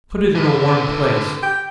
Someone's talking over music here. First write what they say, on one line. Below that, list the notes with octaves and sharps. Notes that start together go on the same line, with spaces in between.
Put it in a warm place.
D3 B4
G5